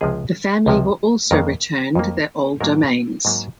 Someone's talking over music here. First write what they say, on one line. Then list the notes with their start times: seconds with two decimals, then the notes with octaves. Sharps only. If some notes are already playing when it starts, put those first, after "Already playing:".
The family were also returned their old domains.
0.01 C#2 C3 F3 G#3 G#4
0.66 C#2 C3 F3 G#3
1.31 F2 D#3 A#3 A#4
1.95 F2 D#3 A#3
2.60 G#2 F#3 A#3 A#4
3.25 G#2 F#3 A#3